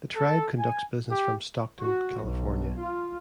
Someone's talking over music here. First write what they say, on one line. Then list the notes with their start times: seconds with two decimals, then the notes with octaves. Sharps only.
The tribe conducts business from Stockton, California.
0.16 A4
0.59 G#5
1.11 G4
1.81 F#4
2.22 B1
2.80 F4